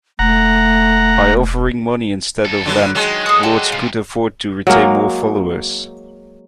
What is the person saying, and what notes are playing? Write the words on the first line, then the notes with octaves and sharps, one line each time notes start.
By offering money instead of land, lords could afford to retain more followers.
E1 A3 F#5 A#5
D#2 A4
D3 F#3 B3
D#3 F#3 G#3
F#4 G#4 A4 D#6
D5 G5 A5
G#2 C3 F4
F#3 G#3 A#3